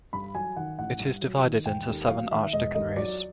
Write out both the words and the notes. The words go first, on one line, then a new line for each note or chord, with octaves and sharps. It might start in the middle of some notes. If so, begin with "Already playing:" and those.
It is divided into seven archdeaconries.
G2 B5
F#3 G#5
D#3 F#5
A1 F#5
G2
F#3
D#3
E1 G5
D#2
F#3 F5
D#3 E5
E1 D#5
D#2 D#5
F#3 D5